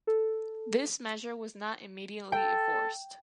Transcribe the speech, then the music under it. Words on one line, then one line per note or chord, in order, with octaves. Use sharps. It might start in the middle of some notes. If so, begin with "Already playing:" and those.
This measure was not immediately enforced.
A4
A4 G5